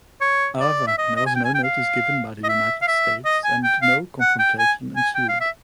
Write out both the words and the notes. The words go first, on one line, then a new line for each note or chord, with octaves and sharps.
However, there was no notice given by the United States and no confrontation ensued.
C#5
D5
E5
D#5
D#5
G#5
G5
G#5
G5
F5
D#5
E5
F5
E5
D#5
G#5
G5
F5
F#5
G5
G#5
G#5
G5
F5
E5